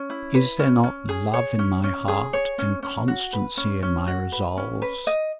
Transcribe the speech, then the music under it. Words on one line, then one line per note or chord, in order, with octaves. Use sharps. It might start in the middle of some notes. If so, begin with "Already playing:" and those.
Is there not love in my heart, and constancy in my resolves?
Already playing: C#4
E4
B4
C#4
C#4
G#4
C#5
C#4
C#4
G#4
C#5
C#4
C#4
F#4
B4
C#4
C#4
F#4
B4
C#4
B4
D#5